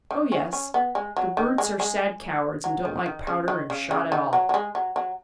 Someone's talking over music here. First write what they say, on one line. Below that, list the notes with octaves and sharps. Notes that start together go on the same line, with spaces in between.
"Oh yes; the brutes are sad cowards and don't like powder and shot at all."
D#3
C#4
C#4
B3
G#3
F#3
D#3
G#3
G#3
F#3
D#3
D#3
C#3
D#3
C#3
C#3
D#3
F#3
F#3
G#3
F#3
F#3